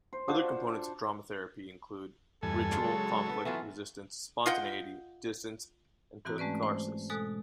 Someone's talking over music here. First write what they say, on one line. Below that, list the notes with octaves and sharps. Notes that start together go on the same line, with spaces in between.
Other components of drama therapy include ritual, conflict, resistance, spontaneity, distance and catharsis.
C5
D4 F4 F#4 C5
E2 G2 A4 G#5
C#3 D4 F4
F#3 G#3 C#5
B3 E4
E3 F#3 A3 B3 F4 E5
F4 D#5 F#5 G5
G#2 E3 C4 F#4 A#5
G#3 A3 C#4 B4 D5
C5
B2 G#3 A4 G#5 D#6 F#6